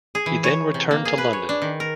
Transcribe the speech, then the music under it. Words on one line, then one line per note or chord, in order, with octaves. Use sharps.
He then returned to London.
G#4
E3
C#5
C3
A#3
G#4
B4
C#5
D4
D#3
A#4